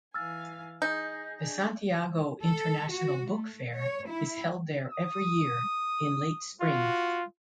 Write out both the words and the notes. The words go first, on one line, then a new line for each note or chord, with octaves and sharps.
The Santiago International Book Fair is held there every year in late spring.
E3 F5 G#5 E6 F6 A6
D#4 G#4 G6
D4 G#4
A4
F#4
A3
C#5
E4
D#6
F4 F#4